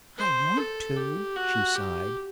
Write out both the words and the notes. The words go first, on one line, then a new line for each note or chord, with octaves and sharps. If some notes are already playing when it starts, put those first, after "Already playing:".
"I want to," she sighed.
C5
A4
G4
F#4
G4